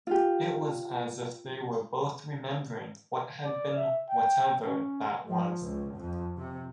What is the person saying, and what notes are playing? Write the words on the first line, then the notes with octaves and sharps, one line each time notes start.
It was as if they were both remembering what had been-whatever that was.
F4 G4
D5
E5
G5
C#4
F3
C#2
F2
C3